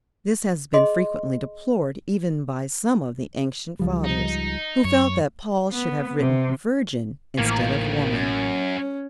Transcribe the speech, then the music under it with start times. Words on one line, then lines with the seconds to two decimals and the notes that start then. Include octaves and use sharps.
This has been frequently deplored even by some of the ancient fathers who felt that Paul should have written "virgin" instead of woman.
0.74 G#4 D#5 C6
3.79 C#2 F3 G3
4.04 D#4
4.84 F#2 C#5
5.70 B3
6.18 C3
7.38 A1 A2 D#3 F3 A#3 G#6
8.13 F#2 C#4